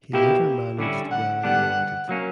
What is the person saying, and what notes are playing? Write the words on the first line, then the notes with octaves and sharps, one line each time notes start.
He later managed Welling United.
B2 A#3 E4 G4
D3 G3 C#4 E4
F#5
D3 G3 B3 D4 F#5
F#3 A#3 C#4